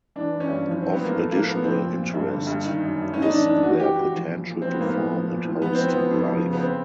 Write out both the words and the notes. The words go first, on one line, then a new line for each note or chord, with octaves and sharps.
Of additional interest is their potential to form and host life.
E3 D4
E3
C#4
G2
F3
C#4
F3 C4
B3
F3
A#3
A2 A3
F3 A#3
A2 B3
F3 C4
A#2
A#2
G2
D3
G2
D#3
F#2
F#2
A2 C#4
D#4
E3 D4
E3 D4
E3 F#4
E3 G4
E3 F#4
F3
A#2
A#2
F3 C4
B3
A2 A#3
B3
A2
F3
A#2
F3
F3 B3
F3 C4
B3
F3
F2
F3
C#3
B3
C4